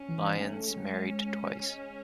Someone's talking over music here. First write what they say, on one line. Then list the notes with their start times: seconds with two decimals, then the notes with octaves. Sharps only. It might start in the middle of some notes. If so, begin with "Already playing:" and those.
Lyons married twice.
Already playing: C#4
0.08 E3
0.38 A3
0.68 G#3 C#4
1.58 G#3